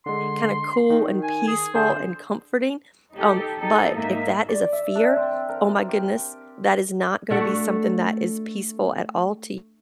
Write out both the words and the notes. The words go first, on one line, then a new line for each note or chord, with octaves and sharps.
kinda cool and peaceful and comforting, um, but if that is a fear, oh my goodness, that is not gonna be something that is peaceful at all to
D3 G#3 C6
D#3
G#5
G#4
D3 G#4 C5
D#4 G4 A4
D#4 G4 A4
G#2 A#3 D#4 E5
D5
E5
D4
C4
A#4
G4
A3 D4 F#4